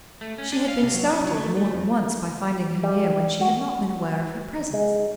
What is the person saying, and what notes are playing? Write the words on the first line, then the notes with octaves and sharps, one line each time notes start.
She had been startled more than once by finding her near when she had not been aware of her presence.
A3
C#4
D4
F5
C3
F#3
C#4
F#3
A3
A3
F2
G3
F#4
G#3